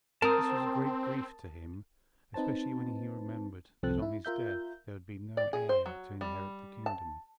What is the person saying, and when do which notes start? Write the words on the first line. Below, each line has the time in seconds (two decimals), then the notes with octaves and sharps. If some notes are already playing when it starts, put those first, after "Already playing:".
This was a great grief to him, especially when he remembered that on his death there would be no heir to inherit the kingdom.
0.22 C4 A#4 A5 D#6
2.34 C4 D#4 B4 C5 A5
3.83 C2 F3 C4 A4 A5 F#6
4.02 E4
4.25 F4 A#4 E5 G6
5.37 D5
5.53 G#4
5.69 C5
5.86 F#3
6.21 G3
6.86 A5